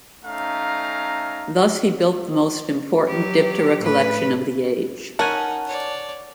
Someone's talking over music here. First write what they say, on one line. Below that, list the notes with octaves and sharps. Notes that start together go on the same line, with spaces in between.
Thus he built the most important Diptera collection of the age.
A3 C#4 D#4 F5 A#5
F#3 G4
A2 B4
C#4 D#4 A#4 F#5 G#5 A5
C#5 D5